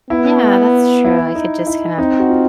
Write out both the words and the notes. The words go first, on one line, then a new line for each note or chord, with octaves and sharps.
Yeah, that's true, I could just kind of
B3 E4
E4
D#4
E4
C4 D#4
F#4
F4